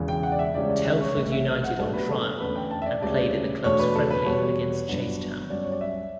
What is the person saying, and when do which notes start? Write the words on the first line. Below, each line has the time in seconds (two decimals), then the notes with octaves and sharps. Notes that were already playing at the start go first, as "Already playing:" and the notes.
Telford United on trial and played in the club's friendly against Chasetown.
Already playing: E1 E2 C#3 E3
0.08 G5
0.23 F#5
0.32 D5
0.39 E5
0.54 C#2 C#3 E3 G3 C#4 D5
0.69 D5
0.86 E5
1.01 C#5
1.16 A1 A2 G3 E5
1.32 E5
1.48 E5
1.63 F#5
1.78 B1 A2 G3 B3 D4 A4
1.93 B4
2.09 A4
2.24 A4
2.40 E2 D3 A3 C#4 B4
2.55 G5
2.71 A5
2.82 E5
2.86 D5
3.02 D2 C#3 G3 C#4 D5
3.64 E2 B2 A3 D4 C#5
3.79 B4
3.95 A4
4.11 B4
4.26 E2 B2 G3 B3 C#5
4.88 G1 G2 F#3 B3 D4
5.50 G2 F#3 C#4 D5
5.64 C#5
5.72 D5
5.81 E5